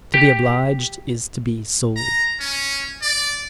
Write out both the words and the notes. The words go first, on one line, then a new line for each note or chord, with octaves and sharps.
To be obliged is to be sold.
G4
A#5
C#4
D5